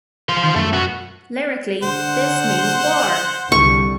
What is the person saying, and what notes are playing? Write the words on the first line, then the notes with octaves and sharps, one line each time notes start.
Lyrically, This Means War!
F3 C6
D#3
F#2 A3
B3 F#4
D3 C5 F#5
C2 D3 G3 C#6